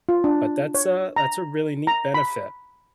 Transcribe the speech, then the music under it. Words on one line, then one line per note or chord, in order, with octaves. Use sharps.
But that's a that's a really neat benefit.
F4
D4
C#5
A#5
A#5
B5